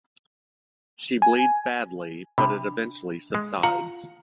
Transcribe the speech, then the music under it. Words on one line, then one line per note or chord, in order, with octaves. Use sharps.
She bleeds badly, but it eventually subsides.
G#5
C3 D4 B5
G#3
F4 F#5 A#5